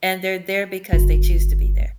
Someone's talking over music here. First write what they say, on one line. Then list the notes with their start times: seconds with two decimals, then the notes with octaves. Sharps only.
and they're there because they choose to be there.
0.93 G1